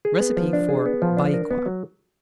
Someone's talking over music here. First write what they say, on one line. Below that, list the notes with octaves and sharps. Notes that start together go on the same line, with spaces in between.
Recipe for Baikwa.
G#4
B3
F3
D4
G#4
B3
F3
D4
A#4
B3
F#3